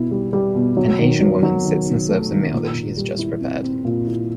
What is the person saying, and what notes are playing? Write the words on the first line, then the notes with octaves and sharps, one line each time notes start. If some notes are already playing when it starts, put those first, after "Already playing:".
An Asian woman sits and serves a meal that she has just prepared.
Already playing: B2 E4
G3
G3
B2
F#3
D#3
F#3
F#3
D#3
D#3
A3
D#3
A#2
A#2
G3
E4
C4
C4
A#2
E4